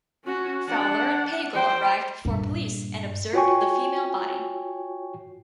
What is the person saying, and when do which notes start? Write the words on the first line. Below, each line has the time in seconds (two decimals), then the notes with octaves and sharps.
Fowler and Paegel arrived before police and observed the female body.
0.24 C#4 F#4
0.67 D4 F#5
1.54 C5 G5
2.25 G2 A#2
3.33 F4 F#4 C#5 G5 G#5 C#6